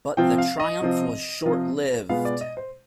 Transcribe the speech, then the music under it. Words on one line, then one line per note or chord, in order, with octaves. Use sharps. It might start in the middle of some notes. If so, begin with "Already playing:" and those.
But the triumph was short-lived.
C3 F3 C4 F4 G5
F5
D#5
C3 F3 C4 F4
C3 F3 C4 F4
B2 G#3 B3 F4 F5
D5
D#5
C5